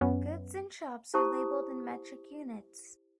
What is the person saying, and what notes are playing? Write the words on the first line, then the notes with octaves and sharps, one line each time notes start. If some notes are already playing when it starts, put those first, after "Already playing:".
Goods in shops are labelled in metric units.
F#2 B3 C#4
E4 G4 C5 A5 C#6 D#6